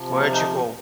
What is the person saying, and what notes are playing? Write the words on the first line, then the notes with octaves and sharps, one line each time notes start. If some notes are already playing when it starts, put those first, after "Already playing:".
Where'd You Go?
Already playing: C3 F3
A#3
D#4